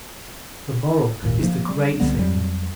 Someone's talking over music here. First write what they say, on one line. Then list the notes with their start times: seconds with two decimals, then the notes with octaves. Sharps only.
The moral is the great thing.
1.22 G#1 D#2 A#2
1.43 F3 A#3
1.68 G3
2.00 C2 D3 G3 B3
2.18 F2 F#3 G3